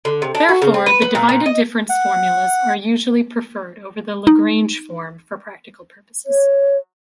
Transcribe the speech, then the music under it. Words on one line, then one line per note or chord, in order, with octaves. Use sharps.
Therefore the divided-difference formulas are usually preferred over the Lagrange form for practical purposes.
D3
C3
D4
F#4
C#3
C4
B4
B3
A#2
A#2
D#5
F#5
D#4
C#5